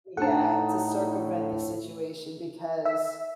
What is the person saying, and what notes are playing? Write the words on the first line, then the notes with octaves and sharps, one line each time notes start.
yeah, to circumvent the situation because
A2 D4 D#4 A4 F#5 A5
E5